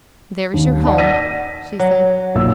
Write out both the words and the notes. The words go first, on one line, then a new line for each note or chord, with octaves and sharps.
"There is your home," she said.
D#2
D5 F#5 A5
A#6 B6 D#7
F#3
B1 A#2 E6